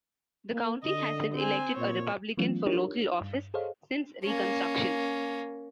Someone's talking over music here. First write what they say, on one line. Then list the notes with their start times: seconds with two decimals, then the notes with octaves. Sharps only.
The county hasn't elected a Republican for local office since Reconstruction.
0.53 A#3
0.84 D3 D#5
1.35 C4 G#5
1.77 A#2 C#5
2.37 E3 F#3 A3 B3 C#4 F4
2.66 D4 D#4 F4 G4 A#4 C#5
3.21 G2
3.54 G#4 A4 C5 C#5 D#5 F5
4.23 A#3 C#4